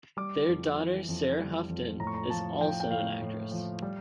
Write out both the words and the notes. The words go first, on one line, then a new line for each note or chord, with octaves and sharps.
Their daughter Sara Houghton is also an actress.
G3 D6
F2
E3
F2
G3
F2
A2 A#5
C#6
A#5
F3 A5
F3 G5
G5
A2 F5
A2
F3
G3